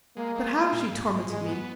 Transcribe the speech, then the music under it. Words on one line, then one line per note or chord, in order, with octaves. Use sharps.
But how she tormented me!
G#3 A#3
G#3
G#3
A#2
G#2
G#2
G#2 G#3
B3